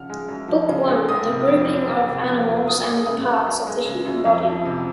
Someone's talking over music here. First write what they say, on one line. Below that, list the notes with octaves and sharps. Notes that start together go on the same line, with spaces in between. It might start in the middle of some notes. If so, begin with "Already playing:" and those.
Book One The grouping of animals and the parts of the human body.
Already playing: C#3 F3 F#5 F6
G#3
F#2
F3
C#3
G#3
F#1 D#6
C3
F2
F#1
F#1
C3
F2
F#1
F#2 D#6
G#3
C#3 D#6
F#2
F#2
G#3
C#3
F#2
F2
F3
C3